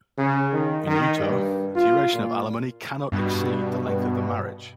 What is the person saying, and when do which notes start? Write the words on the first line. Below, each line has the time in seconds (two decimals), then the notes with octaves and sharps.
In Utah, the duration of alimony cannot exceed the length of the marriage.
0.18 C#3
0.52 D#3
0.87 D#3
1.20 G2
1.76 F4
2.13 A#2
3.12 G2 B2